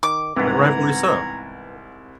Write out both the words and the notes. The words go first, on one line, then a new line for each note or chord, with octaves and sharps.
And rightfully so.
D#3 D6
C2 G#2 E3 B3 F#5 G#5 A#5